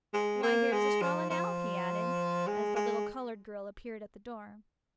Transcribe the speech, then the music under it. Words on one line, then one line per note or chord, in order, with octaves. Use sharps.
"Why, here is Estralla now," he added, as the little colored girl appeared at the door.
G#3
A#3
G#3
F3
F3
G#3
G#3